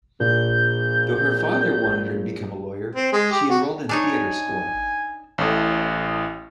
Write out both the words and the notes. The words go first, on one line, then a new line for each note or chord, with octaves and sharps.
Though her father wanted her to become a lawyer she enrolled in theatre school.
A#1 A#2 G6
C4
G#3
G4
F#4
D4 D#4 C#5 G#5
A1 A2